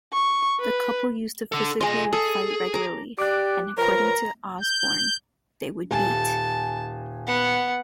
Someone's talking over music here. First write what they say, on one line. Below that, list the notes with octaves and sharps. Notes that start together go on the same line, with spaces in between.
The couple used to physically fight regularly and, according to Osbourne, they would beat.
C#6
B4
D3 A4
F4 G#4 D#5 G#5
G#4 A4
A#5 D6
G4 D5 D6 F#6
F3 A#4 B4 C#5 A#5
G6
D#1 G#5 A5
B3 F#5